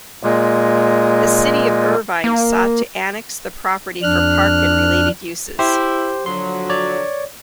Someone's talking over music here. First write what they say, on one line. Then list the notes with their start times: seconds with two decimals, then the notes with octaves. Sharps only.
The city of Irvine sought to annex the property for park and related uses.
0.23 A#2 G#3
2.24 A#3
4.03 F2 D4 F6 F#6
5.59 E4 G4 C5
6.26 D3 F3 F#3 C6
6.70 C#5 D5